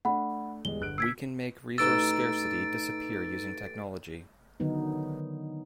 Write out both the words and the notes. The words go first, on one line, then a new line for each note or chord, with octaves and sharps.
We can make resource scarcity disappear using technology.
A3 D4 F#5 B5
E2 G3 G#3 G7
G1 F#6 D7
E6 G#6 B6 C7 D7
A1 D#4 D#5 E6 A6 D7
D3 D#3 F#3 B3 D#4